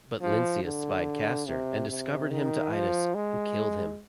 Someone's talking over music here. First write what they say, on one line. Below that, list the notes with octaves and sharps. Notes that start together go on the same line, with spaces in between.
But Lynceus spied Castor and discovered him to Idas, who killed him.
F3
D3
C3
C3
D#3
F3
G#3